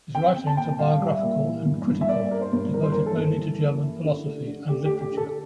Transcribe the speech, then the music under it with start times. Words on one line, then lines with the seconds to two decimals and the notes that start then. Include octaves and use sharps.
His writings are biographical and critical, devoted mainly to German philosophy and literature.
0.15 C4 G5
0.37 C4
0.47 A5
0.57 A#2 G5
0.79 G3 F5
1.01 G3
1.12 E5
1.23 A#2
1.44 E3
1.65 G2
1.87 G2
2.01 E5
2.09 A#3 D5
2.31 A#3 A#4
2.41 C5
2.53 G2
2.74 E3 A#4
2.83 C5
2.92 A#4
2.95 A#3
3.06 A4
3.17 G2
3.39 E3
3.60 A#3
3.82 E4
4.04 D3
4.25 A3
4.47 D3
4.68 A3 G4
4.85 G4
4.90 A3
5.01 G4
5.11 D3
5.17 A4